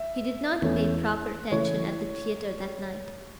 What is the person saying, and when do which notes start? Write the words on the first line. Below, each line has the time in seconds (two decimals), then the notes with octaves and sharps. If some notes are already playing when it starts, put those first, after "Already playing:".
He did not pay proper attention at the theatre that night.
Already playing: E5
0.62 E2 E3 A3 C#4
1.51 C#3 E3 A3 E4 C#5